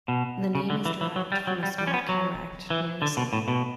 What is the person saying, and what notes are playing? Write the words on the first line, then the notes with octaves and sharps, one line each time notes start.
The name is derived from a small cataract near the city.
B2
C#3
D3
E3
E3
F#3
G3
F#3
G3
G3
C#4
B3
F#3
E3
D3
B2
A2
B2